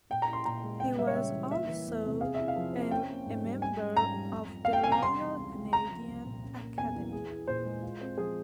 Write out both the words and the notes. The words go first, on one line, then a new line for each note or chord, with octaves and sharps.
He was also a member of the Royal Canadian Academy.
A#2 G5
A#5
E4
C6
A#2 A#5
G#3
C#3 G5
G3 E5
C#5
C#3 E5
E3
A#3 E5
E3
E2
C3
G#4 F5
E4 E5
F5
F3
C4
C#4 G5
A#3
G#2
G3
G4 G#5
C#4
G#2 A#5
G3
F2
F3
F2 F5
G5
C3 G#5
A#5
G3 C6
E3
C#2
C#3
C4 A#5
F3
C2
A#2
C#4
A#3
E2 G#5
E3
G#4
E4
A#2 C5
G#3
F4
C4
F3 G#4